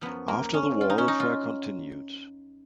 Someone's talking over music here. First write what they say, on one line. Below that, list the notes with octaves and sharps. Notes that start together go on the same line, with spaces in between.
After the war, the fair continued.
F#2 F3 B3
A#3
C#4
F4
D#4
C#4
D#4
F4